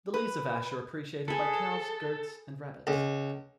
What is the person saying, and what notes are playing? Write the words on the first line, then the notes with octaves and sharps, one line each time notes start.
The leaves of ash are appreciated by cows, goats and rabbits.
B4
G#4 A4 B4
C#2